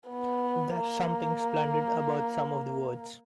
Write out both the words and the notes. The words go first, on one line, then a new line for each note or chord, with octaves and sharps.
There’s something splendid about some of the words.
B3
A#3